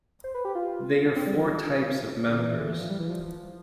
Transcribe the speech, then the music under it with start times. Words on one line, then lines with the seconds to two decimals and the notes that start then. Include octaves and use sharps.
They are four types of members.
0.24 C5
0.34 B4
0.45 G4
0.55 F4
1.06 D4
1.16 C4
1.27 G3
1.37 F3
2.28 D3
2.38 E3
2.48 E3
2.59 D3
2.69 E3
2.79 F3
2.90 G3
3.00 E3
3.10 F3